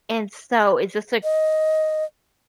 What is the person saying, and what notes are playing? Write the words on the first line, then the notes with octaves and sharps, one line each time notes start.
and so is this a c
D#5